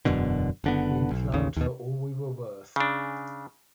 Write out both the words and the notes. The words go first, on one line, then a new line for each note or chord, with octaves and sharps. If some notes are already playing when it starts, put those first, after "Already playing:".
We plugged for all we were worth.
E1 F#2 B2 D3
F#1 D3 B3
B1
A1 D#2 C#3
D#2 B2
C#3 D4